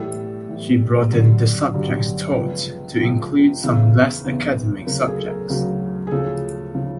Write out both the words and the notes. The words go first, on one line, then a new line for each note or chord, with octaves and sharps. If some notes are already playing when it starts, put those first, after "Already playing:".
She broadened the subjects taught to include some less academic subjects.
Already playing: A2 E3 G3 A4
A2 E3 G3
G2 D3 F#3
G2 D3 F#3
C#2 C#3 F3 B4
C#2 C#3 F3
E2 C#3 E3
E2 C#3 E3
D2 C#3 F#3 A#4
A4
G#4
A4
A#4
D2 C#3 F#3
G#4
D2 C#3 F3 A4
C#3 F3